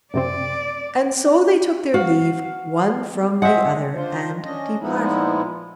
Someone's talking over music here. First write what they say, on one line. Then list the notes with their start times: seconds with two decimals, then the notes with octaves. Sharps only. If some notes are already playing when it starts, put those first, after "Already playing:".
And so they took their leave one from the other and departed.
0.14 F#2 C3 C4 D5
1.94 F#4 F5
3.42 G#3 C4 E5 F#5
3.95 D4 F4 C5
4.44 C#4 D4 D#5
4.80 A#2 F3 G#3 B3 D#4 E4